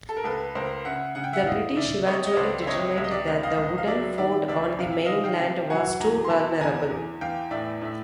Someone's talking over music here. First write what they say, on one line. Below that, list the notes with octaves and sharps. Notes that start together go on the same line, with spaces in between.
The British eventually determined that the wooden fort on the mainland was too vulnerable.
A4
A#4
C#2 A4 B4
C#2 A#4 C5
C#3 E5 F#5
C#3 F#5
G5
E5 F#5
E3 D#5 F5
C#3 D5 E5
C3 C#5 D#5
D#5
C#2 C5 D5
E5
C3 C#5 D#5
C#2 E5
D#5
D5 E5
C#2
D#5 F5
C#2
F5
F#3 D5 E5
D#3 D5 E5
C#2 D5 E5
C3 F5
E5
D#3 D#5 F5
F5 G5
C3
F#3 F#5 G#5
E2 G#5 A#5
C6
B2 A5 B5
E2 G#5 A#5
E2
E2 F5 G5
A2 D5 E5
A2 E5